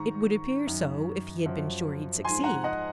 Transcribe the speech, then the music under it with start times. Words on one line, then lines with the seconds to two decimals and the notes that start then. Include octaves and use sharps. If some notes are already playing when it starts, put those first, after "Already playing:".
"It would appear so if he had been sure he'd succeed."
Already playing: G#2 D#3 A#5 C#6
0.67 F#2 D#3
1.46 F#2 F3
2.24 G#2 F3 G#5 C6
2.44 F#5 A#5
2.64 D#5 F#5